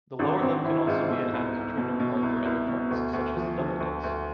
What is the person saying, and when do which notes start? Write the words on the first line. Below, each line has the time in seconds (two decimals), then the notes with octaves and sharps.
The lower lip can also be an active tuning part for other parts, such as the double lips.
0.19 G#1 D4
0.41 G#1 C4
0.64 E3 E4
0.87 G#2 F4
1.10 B2 A4
1.33 C2
1.55 C2
1.78 B2
2.00 B2
2.23 C2
2.45 C2
2.68 B2
2.91 D2
3.13 D2
3.36 F3
3.58 D3
3.80 D2
4.04 D2